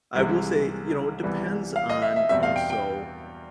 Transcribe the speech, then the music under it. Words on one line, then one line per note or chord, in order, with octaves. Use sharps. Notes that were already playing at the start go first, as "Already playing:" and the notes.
I will say, you know, it depends on also
C2 C3 E3 G#3
C2 C3 E3 G3 B3
F5
D#5
E5
E5
E2 B2 G3 C4 E5
F5
G5
G5